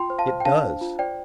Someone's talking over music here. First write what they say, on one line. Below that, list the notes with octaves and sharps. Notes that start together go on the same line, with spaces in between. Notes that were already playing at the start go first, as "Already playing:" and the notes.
"It does."
Already playing: F4 G5 C6
C5
F5 A5
C5
G5
D4 F5 A5
C5
F4
C5 D5 G5